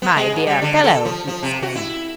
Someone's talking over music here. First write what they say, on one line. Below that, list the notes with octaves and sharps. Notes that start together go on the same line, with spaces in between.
"My dear fellow!" he exclaimed.
B3
G#3
G#2
G3
D3
A4
F3
F3
C3
F#4
E4